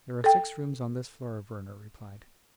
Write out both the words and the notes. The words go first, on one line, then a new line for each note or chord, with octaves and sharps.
"There are six rooms on this floor," Werner replied.
A4 G5